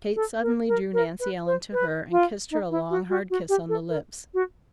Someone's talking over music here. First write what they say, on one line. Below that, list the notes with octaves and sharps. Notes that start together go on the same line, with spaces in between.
Kate suddenly drew Nancy Ellen to her and kissed her a long, hard kiss on the lips.
A4
A#4
A#4
A#4
B4
C5
B4
F4
D#4
E4
F#4
F#4
F#4
G4
A4
A#4
F#4